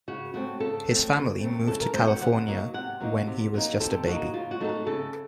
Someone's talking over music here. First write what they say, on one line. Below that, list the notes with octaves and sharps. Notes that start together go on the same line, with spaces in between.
His family moved to California when he was just a baby.
C#3 F#4
F#3 A3 C4 F#4
C#3 A4
F#3 A3 C4
C#3
F#3 A3 C4
C#3 A4
A#4
F#3 A3 C4 C5
F#5
C3 F#5
F#3 A#3 D#4
C3 F#5
F#3 A#3 D#4
C3
F#3 A#3 D#4
C3 A4
F#3 A#3 D#4 F#4
C#3 F4
F#4
F#3 A3 D#4 A4
F#4
C#3 A4